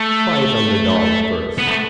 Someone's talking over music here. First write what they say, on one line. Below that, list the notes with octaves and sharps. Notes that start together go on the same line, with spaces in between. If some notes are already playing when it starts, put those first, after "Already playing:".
Try it on the dog first.
Already playing: A3
B3
A3